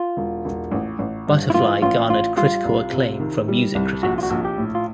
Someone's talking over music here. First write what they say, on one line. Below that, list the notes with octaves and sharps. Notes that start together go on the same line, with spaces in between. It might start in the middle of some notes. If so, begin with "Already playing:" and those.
"Butterfly" garnered critical acclaim from music critics.
Already playing: F4
E1
E1
A1
A1
G2
E4
E3 F4
A1 F4
A1 F4
G3 F4
C2
C3
D#3
G3
C2
A#1 F#4
F4
F#4
A#1
G4
A2
F4